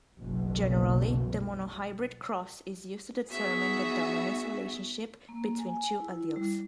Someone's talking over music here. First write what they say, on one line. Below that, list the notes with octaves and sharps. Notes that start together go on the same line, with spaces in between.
Generally, the monohybrid cross is used to determine the dominance relationship between two alleles.
F#1 B1 B2
B3 D#4 F#4 G#4 E5
A#3
G#5
E4
G3